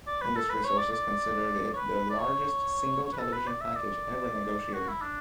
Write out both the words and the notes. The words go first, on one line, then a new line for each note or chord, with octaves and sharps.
Industry sources considered it the largest single television package ever negotiated.
D5
B4
A4
B4
C#5
D5
D5
C#5
B4
D5
C#5
C#5
B4
A4
B4
D5
E5
D5
F#4
E4
D4